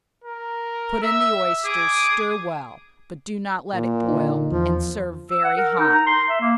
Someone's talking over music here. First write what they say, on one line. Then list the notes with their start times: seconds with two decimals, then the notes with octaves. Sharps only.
Put in the oysters, stir well, but do not let it boil, and serve very hot.
0.24 A#4
1.03 E5 E6
1.65 G#4 D6
3.74 A#2
4.09 D3 D#4
4.52 E2 F3
5.30 E6
5.44 F#5
5.57 A#4
5.79 D#4
5.94 A#5
6.06 C6
6.29 E5
6.41 A#3